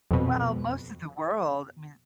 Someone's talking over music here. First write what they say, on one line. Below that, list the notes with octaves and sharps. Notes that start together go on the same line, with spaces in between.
Well, most of the world, I mean
F2 B2